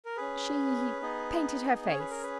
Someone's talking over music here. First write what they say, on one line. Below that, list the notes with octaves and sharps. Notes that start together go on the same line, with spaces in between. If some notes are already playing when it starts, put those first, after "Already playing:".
"She painted her face."
A#4
C#4 G#4 B4
B3 D#4 G#4
C#4 G#4 C#5
B4
A#4
B4